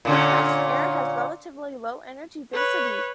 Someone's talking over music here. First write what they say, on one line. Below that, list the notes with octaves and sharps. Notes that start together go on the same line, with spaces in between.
Compressed air has relatively low energy density.
A#2 D3 C#4
B4 C#5